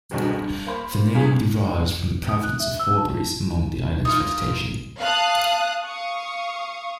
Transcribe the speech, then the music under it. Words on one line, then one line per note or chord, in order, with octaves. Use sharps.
The name derives from the prevalence of hawberries among the island's vegetation.
F#1 C2 B2 D3
G2
A#3 C5 B5
G#1 G2 F4 G#4 B6
D#6
F#6
E5
E6
A5
D#4 F4 F5
F5 A5 D#6 F#6
F5 C#6 D#6